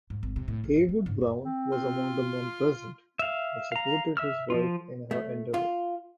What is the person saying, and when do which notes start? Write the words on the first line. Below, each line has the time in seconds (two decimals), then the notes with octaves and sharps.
Heywood Broun was among the men present, and supported his wife in her endeavors.
0.10 G#2
0.23 G#1
0.36 C3
0.48 A2
0.64 A#1
0.76 G2
0.89 C4
1.06 G#2
1.21 F#2
1.43 C4
1.72 F4
3.19 E5 F5
3.72 F5 A#5
4.17 E5 E6 F6
4.50 F3 D4 F4
5.11 A3
5.54 F4